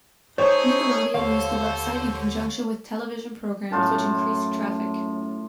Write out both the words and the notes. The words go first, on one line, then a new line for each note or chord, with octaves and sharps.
Nickelodeon used the website in conjunction with television programs which increased traffic.
A3 D#4 G#4 C5 C#5
D#2 D3 A4 C5 F5
F#2 A2 F4 A5